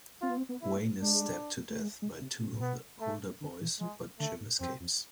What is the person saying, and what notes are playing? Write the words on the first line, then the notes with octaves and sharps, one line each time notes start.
Wayne is stabbed to death by two of the older boys, but Jim escapes.
C4 F4
B3
C4
B3
E4
A3
G#3 D4
A3
G#3
G#3
C3
B2
A2
B2 B3
A3
D3
E3
F3 G#3
E3
D3 A3
G#2
F2 C4
F2